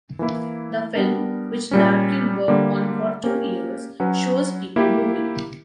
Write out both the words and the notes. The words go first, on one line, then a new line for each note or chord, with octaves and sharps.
The film, which Larkin worked on for two years, shows people moving.
E3 A#3 E4
G3 B3 D4 A#4
A#2 G3 C#4
D3 G3 A#3
A#3 C#4 G4 A#4
F#3 C#4 F#4 B4
A#3 E4 G4